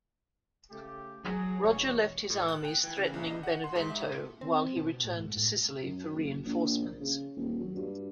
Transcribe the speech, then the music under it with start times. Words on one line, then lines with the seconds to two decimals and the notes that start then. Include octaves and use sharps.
Roger left his armies threatening Benevento, while he returned to Sicily for reinforcements.
0.70 C#3 A3 G4
1.25 F#3 G#4
1.64 E1 C#5
2.30 A2
2.49 F#6
2.65 G5
2.84 E3
2.97 C#3
3.14 A#1
3.26 D#5
3.43 F#5
3.64 C6
3.75 G#2
3.90 E5
4.41 C4
4.76 B2
5.04 A2
5.20 G#2
5.37 A2
5.81 F#2
6.13 F#1
6.45 A#1
7.00 C#3
7.37 D#1
7.60 F#3
7.75 G2